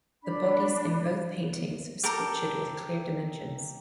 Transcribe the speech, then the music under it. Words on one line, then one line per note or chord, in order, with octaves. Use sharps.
The bodies in both paintings are sculptured with clear dimensions.
D4 B5
G4 A4 A#4